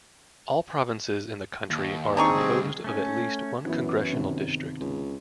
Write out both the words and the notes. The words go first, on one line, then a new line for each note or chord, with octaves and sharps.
All provinces in the country are composed of at least one congressional district.
D#2
C4 D4 D#4 G#4 C#6
D2 G3
A3 C#4
F#2 E3 B3 E4
G1 C3 D#3
C#2